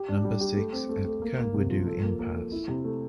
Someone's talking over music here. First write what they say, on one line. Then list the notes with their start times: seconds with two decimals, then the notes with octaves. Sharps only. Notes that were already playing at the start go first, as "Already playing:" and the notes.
Number six at Kerguidoue impasse.
Already playing: G4
0.08 D4
0.24 G3
0.41 G4
0.57 A3
0.72 C4
0.89 A3
1.05 A3
1.22 A#3
1.38 A#3
1.54 C3
1.70 F3
1.87 A4
2.03 A#3
2.19 A#3
2.35 A4
2.52 E4
2.68 C3
2.84 A3